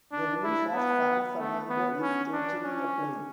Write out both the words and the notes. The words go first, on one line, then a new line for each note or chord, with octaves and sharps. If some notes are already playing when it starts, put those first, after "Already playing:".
The relief of San Fernando is totally a plain.
D4
E4
B3
A3
B3
C#4
D4
C#4